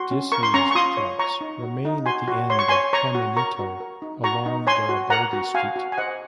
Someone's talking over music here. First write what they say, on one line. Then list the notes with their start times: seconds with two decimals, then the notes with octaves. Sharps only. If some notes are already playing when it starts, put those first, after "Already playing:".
Disused tracks remain at the end of Caminito, along Garibaldi Street.
Already playing: F#4 C6
0.11 C#4
0.32 A#4 C#6
0.43 C6
0.54 C#4 A#5 C#6
0.71 C#6
0.75 F4 C6 D#6
0.97 C#5
1.19 C#5 A#5 C#6
1.41 D#4
1.63 F#4
1.85 D#4
2.06 F#4 G#5 C6
2.28 F#4
2.50 C#5 C6
2.59 C#6
2.68 C#5 G#5 C6
2.93 C#5 A#5 C#6
3.15 F#4
3.36 A#4 A#5 C#6
3.59 F#4
3.80 A#4
4.02 D#4
4.23 F#4 A#5 C#6
4.46 D#4
4.67 C#5 G#5 C6
4.89 F#4
5.10 A#4 F#5 A#5
5.33 F#4
5.54 F#4 F5 G#5
5.76 F#4
5.92 G#5
5.98 C5 D#5 F#5